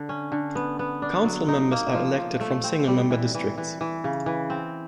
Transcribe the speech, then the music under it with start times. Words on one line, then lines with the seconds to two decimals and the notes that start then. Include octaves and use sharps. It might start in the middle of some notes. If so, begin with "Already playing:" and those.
Council members are elected from single-member districts.
Already playing: D3
0.09 C#4
0.32 D3
0.55 B3
0.79 B3
1.02 D4
1.25 F#3
1.48 D#4
1.71 A#3
1.94 F3
2.18 F3
2.41 A3
2.64 C4
2.87 G3
3.10 E3
3.35 E3
3.58 E3
3.81 E3
4.04 C#3
4.26 E3
4.50 C4